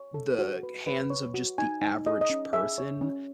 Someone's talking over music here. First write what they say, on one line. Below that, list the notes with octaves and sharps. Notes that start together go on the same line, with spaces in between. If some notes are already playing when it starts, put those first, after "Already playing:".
the hands of just the average person
Already playing: C#5
A4
F#4
B4
B4
C#5
F#4
D#4 G#5
D#4
G#4 D#5
D#5
C#4
G#4 E5
C#5
C#4